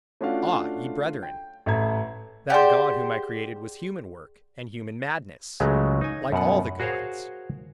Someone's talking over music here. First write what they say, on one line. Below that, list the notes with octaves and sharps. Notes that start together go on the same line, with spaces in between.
Ah, ye brethren, that God whom I created was human work and human madness, like all the Gods!
A3 C#4 D4 F4 F#4 F5
G5
A1 A3 E5 A5 A#5 G#6
G4 G#4 C5 D5 F#5
C#2 C#3 F#3 G#3 A3
D#4 G#5
F#2 B2 F#5
F#4 G#4 A#4 C5 C#5 F5